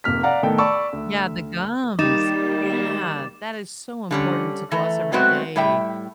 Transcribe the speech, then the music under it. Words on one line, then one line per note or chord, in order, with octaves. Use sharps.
Yeah, the gums. Yeah, that is so important to floss every day
F1 A#3 F6 B6
D5 F5 F#5 A#5
A2 D#3 B3 A4 G5
D5 A5 B5 C#6 E6
D2
D#3 G3 A#3 D#4 D6 A6 E7
D3 G3 C#4
E3 A3 A#5
F#3 G#3 A3 B3 C4 F#4
A2 G3 E5 G5